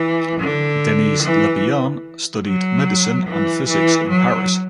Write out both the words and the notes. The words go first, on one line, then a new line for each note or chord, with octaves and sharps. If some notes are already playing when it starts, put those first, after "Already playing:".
Denis Le Bihan studied medicine and physics in Paris.
Already playing: E3
D3
E3
F#3
E3
E3
F#3